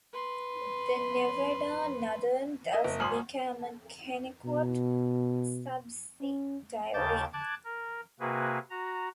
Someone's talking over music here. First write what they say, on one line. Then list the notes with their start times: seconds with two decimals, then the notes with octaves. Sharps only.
The Nevada Northern thus became a Kennecott subsidiary.
0.13 B4 C6
2.72 A#4 D#5 E5
2.84 F#1
3.00 G#1 G#5 C6 D#6 F6 F#7
4.45 B2
6.22 C#4
6.94 D#2 C#3 A5 D6 G6 A6
7.33 A5 D6 F#6 G#6
7.65 A#4
8.20 C3 A#3 F#4 G#4 B4
8.70 F#4 A#5